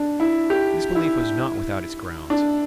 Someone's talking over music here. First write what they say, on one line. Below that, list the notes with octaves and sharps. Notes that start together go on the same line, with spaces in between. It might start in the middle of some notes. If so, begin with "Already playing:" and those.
This belief was not without its grounds.
Already playing: D4
E4
G4
E4
D4